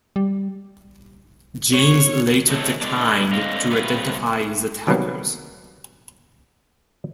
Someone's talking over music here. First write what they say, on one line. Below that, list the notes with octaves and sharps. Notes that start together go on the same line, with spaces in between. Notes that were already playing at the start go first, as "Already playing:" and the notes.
James later declined to identify his attackers.
G3
C#5
E3 G#3 C4 A4 C5 C#5
A2 D3 G#3 D4
D3 C4 D#5 F5
C3 F#3 G3 F4 B4
C3 D#3 F#3 G3 A#3 B3